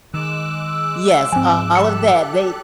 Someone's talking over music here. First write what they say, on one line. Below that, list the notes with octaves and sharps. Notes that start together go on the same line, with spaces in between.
yes, all of that, they
D#3 G#3 D6 E6 F#6
G#2 F3 C4 G#5
G4 A4 B5 F#6 C#7